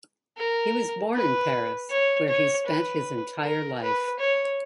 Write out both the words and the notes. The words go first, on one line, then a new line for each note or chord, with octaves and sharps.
He was born in Paris, where he spent his entire life.
A#4
B4
C#5
C#5
B4
A#4
B4
C#5